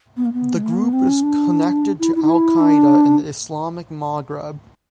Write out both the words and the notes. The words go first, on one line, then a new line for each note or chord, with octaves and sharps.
The group is connected to Al-Qaeda in the Islamic Maghreb.
B3
A#3
B3
G#3
A3
A#3
B3
C4
C#4
D4
E4
E4
D#4
E4
D4